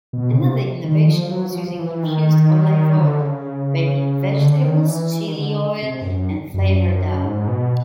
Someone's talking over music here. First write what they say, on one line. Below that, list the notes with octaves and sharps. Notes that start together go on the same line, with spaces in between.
Another innovation was using infused olive oil, baby vegetables, chili oil, and flavored dough.
B2
C#3
C3
D#3
F3
F#3
F#3
F3
F3
E3
D#3
D3
C#3
D3
D#3
E3
D#3
D3
C3
G2
F#2
F#2
G#2
B2